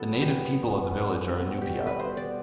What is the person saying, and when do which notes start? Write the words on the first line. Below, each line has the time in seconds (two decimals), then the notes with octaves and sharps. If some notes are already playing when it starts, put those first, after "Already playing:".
The native people of the village are Inupiat.
Already playing: A2 F#3 B3 A4
0.21 G4
1.28 B2 G3 B3 F#4
1.62 G4
1.74 A4
1.87 B4
2.00 C5
2.17 D5